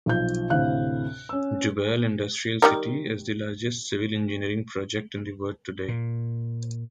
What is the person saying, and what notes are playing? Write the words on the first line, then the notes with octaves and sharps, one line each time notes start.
Jubail Industrial City is the largest civil engineering project in the world today.
B1 F3 G6
D2 A2 C3 F5 F#6
C#4 E6
D#3 G3 A#4
A#2